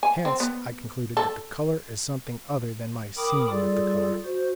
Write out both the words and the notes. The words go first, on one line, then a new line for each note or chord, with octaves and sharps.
Hence I concluded that the colour is something other than my seeing of the colour.
G#5
C4
B3
A4
A#4 G5 B5 D6 D#6
G3 F4 G#4 A4 D5
F#4 C5